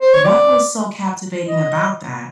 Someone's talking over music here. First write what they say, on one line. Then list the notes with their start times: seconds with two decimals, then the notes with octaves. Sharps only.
What was so captivating about that?
0.02 C5
0.13 C#5
0.24 D5
1.48 D#5